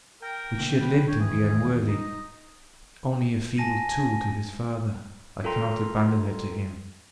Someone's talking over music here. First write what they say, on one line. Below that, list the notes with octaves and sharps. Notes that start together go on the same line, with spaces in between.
But should Linton be unworthy--only a feeble tool to his father--I cannot abandon her to him!
A#4 G5
B2 D3 A#3
D3 F3 B4
D4 C#5
E1 D#3 E3 G#4
D#4 D#5
G#5 A5 A#6 D#7
F4 A4 A#4 G5 A#5 C6